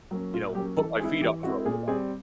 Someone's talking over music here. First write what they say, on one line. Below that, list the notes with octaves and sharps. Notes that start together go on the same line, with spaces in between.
you know, put my feet up for a little while.
F#3 A#3 C#4
A#2 F4
F#3 A#3 C#4 G4
E3 A4
G#3 C4 E4 G#4
E3 G4
G#3 C4 E4 F#4
A#2 G#4
G3 C4 G#4